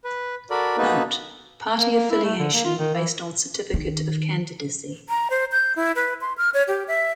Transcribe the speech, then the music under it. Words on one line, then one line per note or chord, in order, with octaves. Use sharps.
Note: Party affiliation based on Certificate of Candidacy.
B4
F#4 A4 A#4 D5 B5
A#3 B3 D#4 F#4 A4 B4
A#3
A#3
E4
A3
D3
A#3
F4
D#3
E3
D#3
A#5
C5
G6
E4
B4
C6
F6
C#5
G4
E5